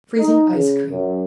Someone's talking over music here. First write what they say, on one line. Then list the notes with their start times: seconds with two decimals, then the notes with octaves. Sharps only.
Freezing Ice Cream.
0.18 D#4
0.53 C#3
0.90 F#2